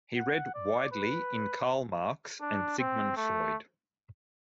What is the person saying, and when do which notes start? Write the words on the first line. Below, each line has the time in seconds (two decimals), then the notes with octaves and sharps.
He read widely in Karl Marx and Sigmund Freud.
0.17 F#5
0.55 D5
0.92 B4
2.41 D4
2.79 C4
3.17 A3